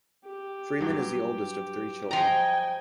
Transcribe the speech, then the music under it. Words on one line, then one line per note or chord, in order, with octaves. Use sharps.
Freeman is the oldest of three children.
G4
G2 F#3
F3 D#5 G5 G#5 A#5